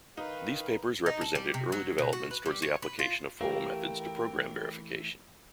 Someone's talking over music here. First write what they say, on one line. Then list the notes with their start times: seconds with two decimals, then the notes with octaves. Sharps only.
These papers represented early developments towards the application of formal methods to program verification.
0.17 D#3 D#4 B4 F5
1.06 D#4
1.21 A4
1.35 G3
1.54 C3
1.72 F#3
1.98 B2
2.13 F#4
2.31 B4
2.46 G3
2.62 C#5
2.82 B4
2.99 F4
3.41 E3 A3 G4 A#4 F5 G5